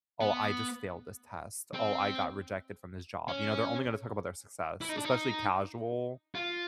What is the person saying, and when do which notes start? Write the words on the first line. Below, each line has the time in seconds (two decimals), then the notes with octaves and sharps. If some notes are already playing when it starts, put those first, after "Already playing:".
"Oh, I just failed this test, oh, I got rejected from this job." You know? They're only gonna talk about their success, especially casual
0.21 B3
1.74 C4
3.28 C#4
4.81 E4
4.89 D#4
4.97 D4
5.05 D#4
6.35 F4